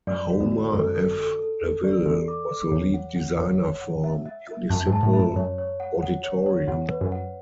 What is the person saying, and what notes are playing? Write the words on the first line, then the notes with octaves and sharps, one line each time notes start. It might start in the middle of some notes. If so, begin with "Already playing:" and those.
Homer F. Neville was the lead designer for Municipal Auditorium.
F#2 D5
F#4
E2
F#4
F#2 A4
A4
A4
A4
A4
D5
E2 A4
D6
D6
E2 C#5
F#5
F#5
F#2 C#5
C#5
F#5
E5
E5
E5
F#2 A5
G#2
A5
A2
E5
F#2
F#2 C#5
C#5
F#5
F#5
C#5
C#5
E2 F#5
B4
F#2
F#5